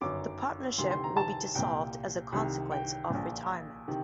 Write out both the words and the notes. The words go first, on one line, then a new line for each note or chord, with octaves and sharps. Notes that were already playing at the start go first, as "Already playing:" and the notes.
The partnership will be dissolved as a consequence of retirement.
G1 F#2 D#3 D6
D2 C3 D#3 C6
C6
A#5
A5
C2 A#2 G5
C2 C3 D#3
G5
A#1 A#2
C3 D#3